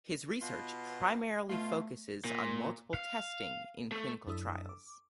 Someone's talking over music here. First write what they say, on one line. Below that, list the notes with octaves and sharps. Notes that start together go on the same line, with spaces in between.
His research primarily focuses on multiple testing in clinical trials.
B2 B3 F4
B2 A3 F4
A#2
F5
A3
F#2 D4 E4 A4 D#6 E6
D6